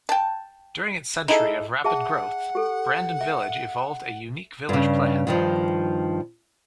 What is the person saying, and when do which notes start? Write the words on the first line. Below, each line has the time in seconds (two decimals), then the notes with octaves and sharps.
During its century of rapid growth, Brandon Village evolved a unique village plan.
0.09 G5 A5
1.28 D#4 E4 G#4 A4
1.84 G#4 E5 F#5 A5
2.55 G4 A4
3.21 E5
4.69 G2 C#3
5.27 G2 D#3 F3